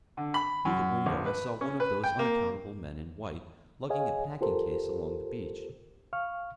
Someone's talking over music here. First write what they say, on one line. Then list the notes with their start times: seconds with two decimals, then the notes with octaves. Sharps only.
Through the window I saw one of those unaccountable men in white, lugging a packing-case along the beach.
0.17 D3
0.34 B5
0.65 F#2
1.06 A#1
1.26 B4
1.61 C#4
1.80 B4
2.04 G5
2.19 A#3
3.90 G#4 C#5 D#5 F5 G#5
4.41 F4 G4 A4 A#4 C5
6.13 F5 C#6 F6